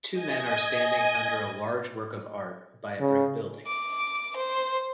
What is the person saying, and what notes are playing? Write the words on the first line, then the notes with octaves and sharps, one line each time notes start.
Two men are standing under a large work of art by a brick building.
D#5 G#5
C#3
D6
C5